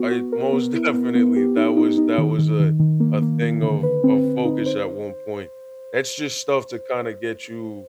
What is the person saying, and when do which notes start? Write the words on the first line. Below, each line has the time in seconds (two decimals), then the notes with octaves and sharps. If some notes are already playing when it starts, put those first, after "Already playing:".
I Most definitely, that was that was, uh, a thing of of focus at one point. It's just stuff to kinda get you
Already playing: B3 F#4
0.11 F#4
0.32 A#4
0.53 B3
0.74 E4
0.94 B3
1.15 B3
1.36 G4
1.57 D#4
1.77 D#4
1.97 D#4
2.18 D#3
2.39 D#3
2.60 D#3
2.80 D#3
3.00 A#3
3.22 A#3
3.42 A#3
3.63 D3
3.83 B4
4.04 C4
4.25 C4
4.45 D#4
4.66 C5